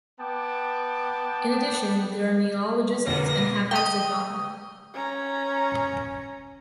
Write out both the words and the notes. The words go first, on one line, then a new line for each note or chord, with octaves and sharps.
In addition there are neologisms and hapax legomena.
B3 G5 A5 D6
F2 B2 D3 A#3 B3 A#6
G5 D#6
C#4 A#5